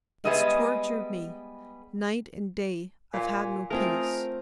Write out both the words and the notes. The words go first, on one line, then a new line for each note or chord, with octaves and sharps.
It's tortured me--night and day--I've had no peace.
G3 G#3 B3 G#4 D#5 E5
A#2 G#5
A3 C4 F4 G#4 A#4